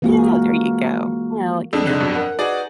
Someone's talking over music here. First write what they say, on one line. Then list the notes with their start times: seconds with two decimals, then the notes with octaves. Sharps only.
Yeah. There you go. Well, you know,
0.02 E3 G#3 A#3 F4 F#4
1.73 F2 D4 G#4 A4
1.87 D3 D#4 G#4 F#6
2.00 G2 B2 F#3
2.15 A#4 F#5
2.39 D#4 F#4 G#4 B4 D5